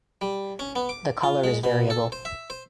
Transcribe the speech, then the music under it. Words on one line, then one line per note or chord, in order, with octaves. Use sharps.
The colour is variable.
G3
C#4
B3
D6
F4
G#3
B2
A4
C5
E5
C5